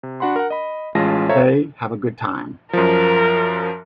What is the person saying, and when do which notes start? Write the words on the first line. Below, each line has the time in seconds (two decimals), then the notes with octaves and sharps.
They have a good time.
0.03 C3
0.20 D4 F#4 F#5 B5 C6
0.36 A#4 F#5
0.50 D#5 B5
0.95 A1 G#3 C#4 F4 A5 A#6
1.29 A4 C5 C#5 E5 F5 A#5
2.73 F#2 F3 A#4